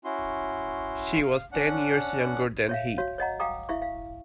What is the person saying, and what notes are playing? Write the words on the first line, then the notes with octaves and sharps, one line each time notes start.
She was ten years younger than he.
C#4 E4 F#4 C6
F5
C#4 D4 F#5
C#5 E5 F5
F#4 C#5 F5
C#5 D#5 F#5 A#5
F5 G5 A#5 D6 D#6
E4 E5 F5 C#6
F5